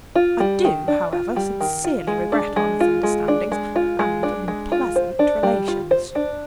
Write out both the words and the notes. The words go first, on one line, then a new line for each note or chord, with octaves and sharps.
I do, however, sincerely regret our misunderstandings and unpleasant relations.
F4
G3
D#3
D4
F4
G3
D#3
F4
G#3
D4
G#3
F4
G#3
D4
G#3
F4
G#3
D4
G#3
F4
C5
D4
G3
F4
C5
D4